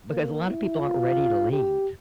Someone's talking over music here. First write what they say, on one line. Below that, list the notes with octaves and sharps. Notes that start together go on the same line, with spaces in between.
because a lot of people aren't ready to leave,
A#3
E4
F4
G4